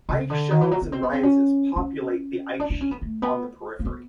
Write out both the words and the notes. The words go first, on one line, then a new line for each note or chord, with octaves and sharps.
Ice shelves and rises populate the ice sheet on the periphery.
C#3
D3
D#3
E3
F#3
B3
C4
B3
C4
C#4
C#4
D4
D4
C#4
B3
A3
B3
A#3
B3